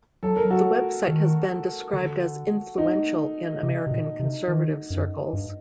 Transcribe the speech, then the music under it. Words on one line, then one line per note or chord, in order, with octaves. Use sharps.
The website has been described as influential in American conservative circles.
F#3 A4
A#4
F#3
F#4 A4
D#3
D3
D#4
C3
C3
A#2
C3
D#3
F#2
G2